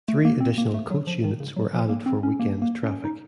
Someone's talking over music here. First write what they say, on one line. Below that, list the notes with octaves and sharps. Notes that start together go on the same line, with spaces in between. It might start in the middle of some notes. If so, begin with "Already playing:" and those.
Three additional coach units were added for weekend traffic.
A3
A#3
C4
A#3
A3
F#3
F3
D#3
C#3
F#3
F3
A#3
C4
C#4
A#3
A#3
C#4
D#4